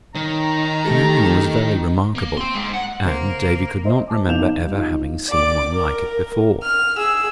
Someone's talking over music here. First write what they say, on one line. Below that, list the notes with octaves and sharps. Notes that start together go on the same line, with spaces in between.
The piano was very remarkable, and Davy could not remember ever having seen one like it before.
D#3 C#5 A#5
A3 G4 A4
A#3
G5 C6
G#2
F#5
C#3 A#3 C5
C5 D#5 E5
A5 D6
B1 D#4 F5 G6 E7 F7
G3 D#4
D#4 F4
D5 D6
A#4
F6
G#4 E6